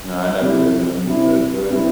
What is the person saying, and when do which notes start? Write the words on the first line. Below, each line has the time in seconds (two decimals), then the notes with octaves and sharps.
You know, I never really understood, but
0.42 C3 G3 C4 E4
1.06 C3 G3 C4 E4
1.69 C3 G3 C4 E4